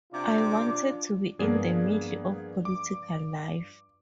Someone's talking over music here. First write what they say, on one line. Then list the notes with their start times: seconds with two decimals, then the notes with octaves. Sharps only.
I wanted to be in the middle of political life.
0.13 C3 D4 F4 D6
1.39 G2 F3 A#3 B3 G#4 D5
2.65 D6